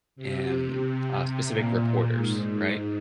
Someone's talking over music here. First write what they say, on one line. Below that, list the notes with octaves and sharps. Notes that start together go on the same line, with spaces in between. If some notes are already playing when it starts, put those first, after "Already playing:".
em, uh, specific reporters, right?
C3
A#2
G#2